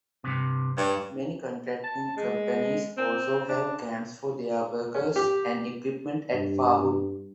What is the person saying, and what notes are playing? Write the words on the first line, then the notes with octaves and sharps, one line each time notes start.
Many contracting companies also have camps for their workers and equipment at Fahud.
G2 C3
G2 C#5
A5
G#3
C4
D4
C#4
G4
G2